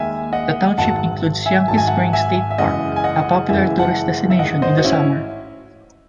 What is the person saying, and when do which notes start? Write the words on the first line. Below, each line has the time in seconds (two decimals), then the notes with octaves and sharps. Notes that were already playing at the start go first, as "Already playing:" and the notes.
The township includes Yankee Springs State Park, a popular tourist destination in the summer.
Already playing: D#2 D#3 G#3 E5 G#5
0.33 D#5 F#5
0.78 G#1 G#2 D#3 F#3 F#5 A5
1.46 E5 G#5
1.68 G#1 G#2 D#3 F#3 A5
1.78 G#5
1.87 F#5 A5
2.13 E5 G#5
2.51 E5
2.58 F#1 F#2 E3 G#3 D#5 F#5
2.96 G#5
3.04 D#5 F#5
3.49 F#1 F#2 E3 G#3 E5 G#5
3.79 F#5 A5
4.30 E5
4.39 A1 G#2 D#3 G#3 D#5 F#5
4.62 C5 D#5
4.78 F#4
4.85 C#4 E4